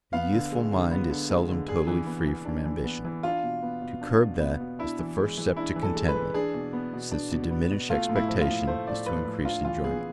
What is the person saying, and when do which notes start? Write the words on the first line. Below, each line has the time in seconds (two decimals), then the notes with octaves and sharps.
A youthful mind is seldom totally free from ambition; to curb that, is the first step to contentment, since to diminish expectation is to increase enjoyment.
0.13 B3 F5
0.32 D3
0.52 G#3
0.71 D3
0.91 B3
1.10 D3
1.29 G#3
1.49 D3
1.68 D4 G#4
1.87 E3
2.06 B3
2.27 E3
2.45 D4
2.65 E3
2.84 B3
3.05 E3
3.23 D4 F4
3.43 B2
3.62 B3
3.82 B2
4.01 D4
4.21 B2
4.40 B3
4.60 B2
4.79 D4 E4
4.99 E3
5.18 G#3
5.38 E3
5.56 D4 E4
5.76 E3
5.83 A4
5.95 G#3
6.08 B4
6.14 E3
6.34 D4 G#4
6.54 B2
6.73 B3
6.93 B2
7.11 D4
7.31 B2
7.51 B3
7.71 B2
7.90 A3 F4
8.09 A2
8.16 E4
8.28 F3
8.41 F4
8.48 A2
8.67 A3 C5
8.87 A2 D5
9.06 F3 B4
9.25 A2
9.45 D4 F4
9.65 E3 F4
9.84 B3 G#4